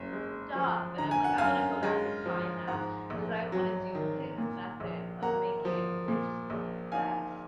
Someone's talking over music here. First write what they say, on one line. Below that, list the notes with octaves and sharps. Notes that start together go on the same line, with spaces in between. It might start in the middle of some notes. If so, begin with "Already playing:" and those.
stuff. And I'm, like, "I'm gonna go back and find that." 'Cause I wanna do his method of making it 'cause it just looked the best.
Already playing: F#1
G#3
F3
D3 A#5
G#5
F#5
F#2 F5 G#5
G#3
F3
G#2 F#5 A#5
A#1
F#3
D#3
A#2
A#1
A#3 F#5 A#5
F3
A#2
A#1
D#4 F5 G#5